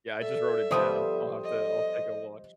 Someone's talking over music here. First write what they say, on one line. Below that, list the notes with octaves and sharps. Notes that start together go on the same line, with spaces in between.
Yeah, I just wrote it down. I'll have to I'll take a watch.
A4 D5 E5
F3 G3 B3 C5 D#6
D#5